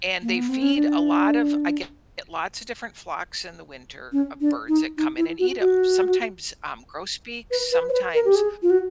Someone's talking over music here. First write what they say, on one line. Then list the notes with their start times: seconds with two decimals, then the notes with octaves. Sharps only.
and they feed a lot of I get lots of different flocks in the winter of birds that come in and eat 'em. Sometimes, um, grosbeaks, sometimes,
0.22 A#3
0.35 B3
0.49 C4
0.62 C#4
0.74 D4
4.12 C#4
4.41 D4
4.68 D#4
4.97 D#4
5.17 E4
5.39 F#4
5.60 F#4
7.51 B4
7.72 B4
7.89 C5
7.93 B4
8.14 A#4
8.25 G4
8.35 G#4
8.62 F4
8.70 F#4